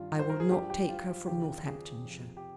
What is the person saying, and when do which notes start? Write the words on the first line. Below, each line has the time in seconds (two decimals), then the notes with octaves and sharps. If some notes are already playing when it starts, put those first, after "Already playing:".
I will not take her from Northamptonshire.
Already playing: G2 D#3 F4
0.19 C5
0.30 A#4
0.40 G#4
0.50 G2 F3 G4
0.70 G4
0.89 F4
1.27 D#2 C#3 F3 G4
1.66 G#4
2.05 F2 C3 F3
2.37 G4